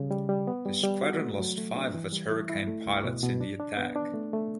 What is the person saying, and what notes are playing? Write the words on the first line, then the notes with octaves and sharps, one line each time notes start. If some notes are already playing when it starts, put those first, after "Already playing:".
The squadron lost five of its Hurricane pilots in the attack.
Already playing: C#3 G3
G3
G3
B3
G3
G3
F#4
A3
F#3
A3
D4
E3
G3
E4
E4
A3
C#2
B2
B2
D4
D4
B3
D4
A3
A3